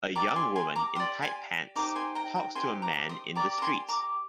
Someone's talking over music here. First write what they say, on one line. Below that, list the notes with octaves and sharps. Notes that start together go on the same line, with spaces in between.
A young woman in tight pants talks to a man in the street.
G4 D5 A#5 D6
G#5 C6
G#5 C6
A#5 D6
G4 D5 C6 D#6
G#5 C6
D#4 G4 C5 D#5 A#5 D6
G#5 C6
G5 A#5
G5 A#5
D#4 G4 C5 G#5 C6
A#5 D6
C6 D#6
G4 D5 A#5 D6
A#5
G#5 C6
A#5 D6